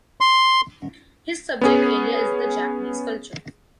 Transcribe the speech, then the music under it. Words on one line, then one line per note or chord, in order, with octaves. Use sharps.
His subject area is the Japanese Culture.
C6
B3 C#4 G#4